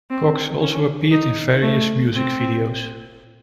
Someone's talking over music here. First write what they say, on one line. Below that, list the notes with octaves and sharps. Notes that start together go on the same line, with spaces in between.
Cox also appeared in various music videos.
C4
C#4
D#4
A3
C4